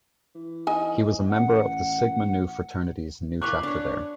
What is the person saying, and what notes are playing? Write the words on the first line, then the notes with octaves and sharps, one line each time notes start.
He was a member of the Sigma Nu fraternity's Nu Chapter there.
E3
D#4 G#5
A1 F#5
B4 F5 G#5 C#6 D6 F#6
D4 C#5